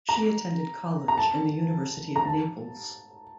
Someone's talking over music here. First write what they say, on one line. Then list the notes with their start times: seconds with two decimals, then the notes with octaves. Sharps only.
She attended college in the University of Naples.
0.09 A#5
1.08 A#5
1.18 A5
2.16 A#5
2.25 A5